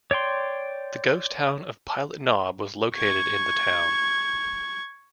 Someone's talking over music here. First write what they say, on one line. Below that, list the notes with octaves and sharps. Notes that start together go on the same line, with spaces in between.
The ghost town of Pilot Knob was located in the town.
C#5 D5 G5 C6
C#6 G#6